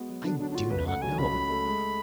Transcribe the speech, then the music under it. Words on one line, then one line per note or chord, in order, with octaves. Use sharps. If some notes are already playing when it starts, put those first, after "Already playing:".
I do not know.
Already playing: G#3 B3 F#4
F#3
D3 D4
F#3 D4
D4
F4 F#4
C#2 B4
A3 F#5
F#3 G#5
C#2 B5
C#2
A3
G#3